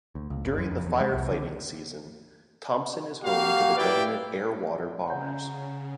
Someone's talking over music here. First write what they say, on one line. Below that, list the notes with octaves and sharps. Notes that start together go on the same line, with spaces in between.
During the fire fighting season, Thompson is home to the Government Air water bombers.
D2
C#2
G1
F#2
F2
E2
G#3
C2
D3
A#3 F#4 G4 F5
E4 G4 B4 D5 G5
C#3 F#5 A#5 G6